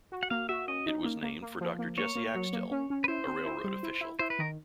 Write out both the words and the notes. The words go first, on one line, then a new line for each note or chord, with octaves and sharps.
It was named for Dr. Jesse Axtell, a railroad official.
F#4
F#5
A#3 F5
F#4 E5
C#4 D#5
D#4
A#3
A#3
A#3
F3
A#3
A#3 C#5
A#3
F#3
A#3
C#4
C#4
B4
E4 C5
C4
E4
G3
E4
E4
E4 C5
B4
D#3 A#4